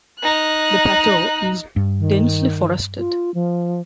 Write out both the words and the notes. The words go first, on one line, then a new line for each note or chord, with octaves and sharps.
The plateau is densely forested.
D#4 F#6
G2
D#3
F4
F3